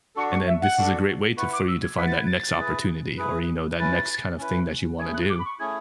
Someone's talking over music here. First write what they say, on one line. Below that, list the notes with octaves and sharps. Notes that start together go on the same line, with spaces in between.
and then this is a great way to for you to find that next opportunity, or, you know, that next kind of thing that you wanna do.
D4 F#4 A4 C#6
C#6
E5
F#5
D4 F#4 A4
E4 B4 F#5 C#6
D6
E6
G#6
E4 B4 F#5 B6
A6
G#6
A6
E4 G#4 B4
E4 G#4 B4
C#4 E4 B4 A6
C#4 E4 B4
A3 C#4 E4 G#4 G#6
F#6
D6
B5
C#6
A3 C#4 E4 G#4 G#6